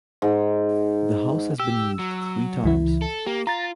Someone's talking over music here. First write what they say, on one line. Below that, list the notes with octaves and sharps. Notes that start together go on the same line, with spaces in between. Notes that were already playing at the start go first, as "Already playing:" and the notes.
The house has been moved three times.
G#2
G4 E6
F#3
C#2 E3 E4
A4
A#3 G4
F4 A#5 A6